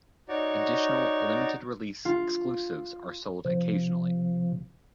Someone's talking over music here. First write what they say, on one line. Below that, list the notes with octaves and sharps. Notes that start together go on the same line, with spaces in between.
Additional limited-release exclusives are sold occasionally.
D#4 F#4 C#5 D5
F4
C3 F3